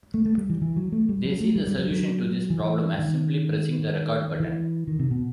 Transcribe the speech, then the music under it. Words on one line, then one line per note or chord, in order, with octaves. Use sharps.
They see the solution to this problem as simply pressing the "Record" button.
A3
A3
G3
E3
E3
F#3
A3
G3
F#3
A3
G3
G3
F#3
F#3
E3
D#3
E3
D#3
C3
B2